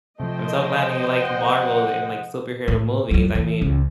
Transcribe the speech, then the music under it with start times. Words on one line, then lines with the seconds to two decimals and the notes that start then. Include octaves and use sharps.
I'm so glad that you like Marvel and, like, superhero movies. I mean,
0.20 C3 F3 A3 C5 D#5 G5
1.21 F#5
2.68 A2
3.11 F2 F#3
3.35 E3
3.61 C#2